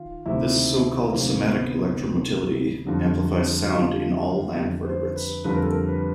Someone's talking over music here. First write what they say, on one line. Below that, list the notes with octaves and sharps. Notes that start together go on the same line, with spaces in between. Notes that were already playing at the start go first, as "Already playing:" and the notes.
This so-called somatic electromotility amplifies sound in all land vertebrates.
Already playing: D#3 F4
D2 C3 D#3 E4
D2 C3 D#3 A#3
B3
D2 C3 D#3
F2 D3 G3
F#4
F2 D3 G3 F4
F2 D3 G3 G4
B4
C5
B4
F2 D3 G3 B4
A#4
A4
A#4
B4